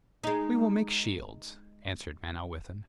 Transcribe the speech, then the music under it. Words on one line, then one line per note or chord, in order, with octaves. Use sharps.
'We will make shields,' answered Manawyddan.
G#3 D#4